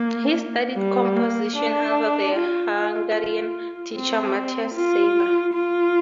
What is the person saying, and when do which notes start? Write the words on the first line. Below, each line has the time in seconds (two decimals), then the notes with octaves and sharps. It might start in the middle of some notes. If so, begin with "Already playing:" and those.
He studied composition under the Hungarian teacher Matyas Seiber.
Already playing: A#3
0.76 G3
1.16 A#3
1.56 D4
2.34 F4
2.74 F4
3.14 F4
3.94 C4
4.74 F4
5.53 F4